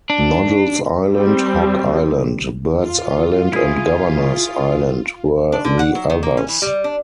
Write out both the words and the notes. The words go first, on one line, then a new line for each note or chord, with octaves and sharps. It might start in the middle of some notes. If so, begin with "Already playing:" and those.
Noddle's Island, Hog Island, Bird's Island and Governor's Island were the others.
D4
G3 C4
F4
E4 G#4
D4
D3
F#5
F#3
D#3
A#3
C#4
E3
G3
D4